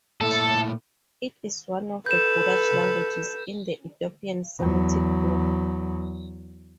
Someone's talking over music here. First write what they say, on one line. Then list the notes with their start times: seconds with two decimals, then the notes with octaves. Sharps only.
It is one of the Gurage languages in the Ethiopian Semitic group.
0.21 A#2 A3 E4 A4
2.06 A4 B4 G6 E7
4.59 E2 F#3